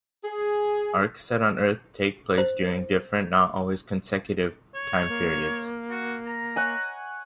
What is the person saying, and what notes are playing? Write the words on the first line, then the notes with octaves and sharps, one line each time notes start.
Arcs set on Earth take place during different, not always consecutive, time periods.
G#4
C5
C#5
A#3
F#4
A#5
C#5 F#5 G#5